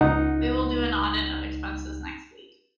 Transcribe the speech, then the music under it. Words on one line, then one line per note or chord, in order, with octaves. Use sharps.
We will do an audit of expenses next week.
C#2 D#4 F#5